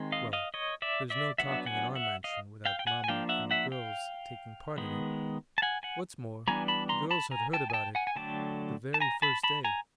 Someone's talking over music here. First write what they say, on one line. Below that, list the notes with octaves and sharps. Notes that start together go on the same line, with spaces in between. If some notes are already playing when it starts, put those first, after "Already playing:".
Well, there's no talking in our mansion without mamma and the girls taking part in it. What's more, the girls had heard about it the very first day.
Already playing: D#3 G#3 C4
D#5 F5
D#5 F5
C#5 D#5
D5 E5
D5 E5
F#3 B3 D4 E5 F#5
F#5 G#5
E5 F#5
D#5 F5
F5 G5
G5
F#5 G#5
G#5
F3 A#3 D4 F5 G5
E5 F#5
E5 F#5
F5 G5
D#3 G#3 B3
A5
F#5 G#5
F#5 G#5
E3 G3 B3 D4 G#5 A#5
A5 B5
A#5 C6
A5 B5
G#5 A#5
G5 A5
G#5
G5 A5
F#5 G#5
G#5
D3 F#3 A3 D4 G5 A5
A5
G#5 A#5
A5 B5
A5 B5
G#5 A#5